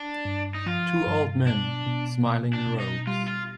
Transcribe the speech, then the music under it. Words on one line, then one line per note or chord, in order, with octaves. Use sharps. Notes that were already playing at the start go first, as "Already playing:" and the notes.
Two old men smiling in robes.
Already playing: D4
G2
D#4
F3 F4
G2
B2 D4
B2
B2
D4
B2
D#4
G3 F4
F4